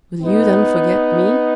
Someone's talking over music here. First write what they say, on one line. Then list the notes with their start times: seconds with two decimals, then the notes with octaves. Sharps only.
"Will you then forget me?"
0.23 G#2 F3 G#3 B3 D#4